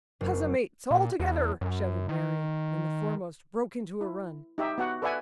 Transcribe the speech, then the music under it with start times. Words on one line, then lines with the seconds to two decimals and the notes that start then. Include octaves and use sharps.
"Huzza, mates, all together!" shouted Merry; and the foremost broke into a run.
0.21 F#1
0.91 A#2
1.20 E2
1.61 F#2
2.09 D#3
4.01 E4
4.58 D#4 G4 E5
4.78 B3 F#4 F#5
5.02 A4 B4 D5 E5 F#5 G#5